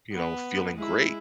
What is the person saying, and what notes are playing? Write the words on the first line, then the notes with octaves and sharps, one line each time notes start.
you know, feeling great
B3
G#3 E4